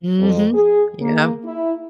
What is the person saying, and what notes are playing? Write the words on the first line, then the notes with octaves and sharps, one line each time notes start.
Mhm, yep.
F2
G#4
A#3
E4